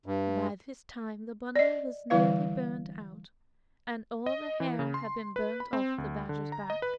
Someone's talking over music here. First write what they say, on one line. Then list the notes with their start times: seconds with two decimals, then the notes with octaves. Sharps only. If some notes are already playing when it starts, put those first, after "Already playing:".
By this time the bundle was nearly burned out and all the hair had been burned off the badger's back.
0.06 G2
1.56 D5 D#5
2.10 D3 E3 G3 E4 B4 F5
4.26 D#5
4.60 E3
4.79 C#3
4.94 C6
5.36 B4
5.60 B5
5.73 C4
5.98 D2
6.29 D3
6.52 A#5
6.70 D#5
6.82 B4